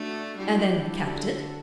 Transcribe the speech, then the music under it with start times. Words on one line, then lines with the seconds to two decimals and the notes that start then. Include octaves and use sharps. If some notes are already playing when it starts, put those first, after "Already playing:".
"And then kept it?"
Already playing: A3 D4 F#4
0.38 G3 E4 G4
0.72 G3
1.06 D3 F#4 A4